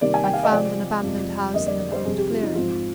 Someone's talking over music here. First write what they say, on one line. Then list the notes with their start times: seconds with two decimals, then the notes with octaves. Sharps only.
I found an abandoned house in an old clearing.
0.01 C3 D#3 G3 A#3 D5
0.14 G#5
0.24 G5
0.34 F5
0.43 D#5
0.52 C3 F3 C4 D5
1.03 F2 C3 F3 G#3
1.54 F2 D3 G3 A#3 D#5
1.67 D5
1.80 D5
1.92 C5
2.05 F2 C3 G3 C4 G#4
2.18 G4
2.30 F4
2.43 D#4
2.55 G#2 F3 C4 F4